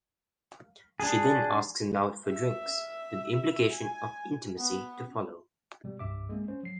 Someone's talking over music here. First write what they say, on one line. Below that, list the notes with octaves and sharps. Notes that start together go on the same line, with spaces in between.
She then asks him out for drinks, with the implication of intimacy to follow.
D4 G#4
E5
G#5
B3
B2 G3
C2 G2 E5 D6
G#3 A#3 C4
C#4 C5
F#3 C7